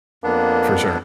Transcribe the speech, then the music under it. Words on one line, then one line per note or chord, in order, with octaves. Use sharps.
For sure.
F2 A#3 B3 D4